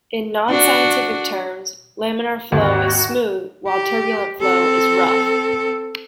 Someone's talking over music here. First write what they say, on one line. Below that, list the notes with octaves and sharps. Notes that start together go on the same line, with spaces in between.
In non-scientific terms, laminar flow is "smooth" while turbulent flow is "rough".
D4 F#4
G#1 D#2 F#4
G4
C4 A4